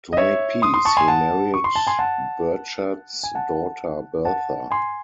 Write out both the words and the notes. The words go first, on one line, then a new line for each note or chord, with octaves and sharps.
To make peace, he married Burchard's daughter Bertha.
D#5
C#5 E5
C6 D#6
C6 D#6
A5 C#6
G#5 C6
F#5 A5
C#6
C6
A5
G#5 C6
F#5 A5
G#5
F#5 A5
F#5 A5
G#5 C6